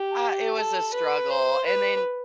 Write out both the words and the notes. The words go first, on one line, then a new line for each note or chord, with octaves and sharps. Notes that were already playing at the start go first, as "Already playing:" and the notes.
uh, it was a struggle, and then,
Already playing: G4
A4
B4
C5
B4